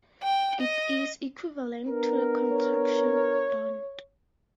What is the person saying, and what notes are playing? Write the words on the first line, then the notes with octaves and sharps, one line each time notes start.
It is the equivalent to the contraction "don't".
G5
D#5
B3 D4 A#4
C#5